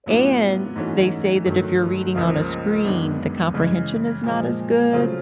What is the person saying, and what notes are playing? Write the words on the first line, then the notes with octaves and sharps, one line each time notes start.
and they say, that if you're reading on a screen, the comprehension is not as good,
A2 F#3 B3 D4 F4
G#2 E3 A3 C#4 F#4
G2 D#3 F#3 A3
C#2 C#3 F3 A#3
F#2 D#3 G#3 B3 D4
C#3 E3 G#3
A#2 F3 G#3
C#3 F#3 A3 C4 F4